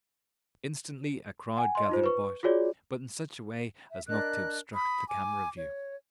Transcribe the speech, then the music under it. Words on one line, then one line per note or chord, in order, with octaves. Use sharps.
Instantly a crowd gathered about, but in such a way as not to obstruct the camera view.
F#5 G#5
D#5 C6
D#4 F4 C5
B4 C#6
F4 F#4 G#4 C#5 D5
E5
D4 A#4 D#5 F#6
B5 D#6
G#5 D6
C#5